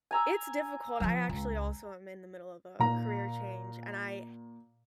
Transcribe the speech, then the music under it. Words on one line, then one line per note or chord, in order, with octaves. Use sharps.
It's difficult, I actually also am in the middle of a career change, and I
G#5 A#5 E6
F3 G3
C#2
A#2 A#5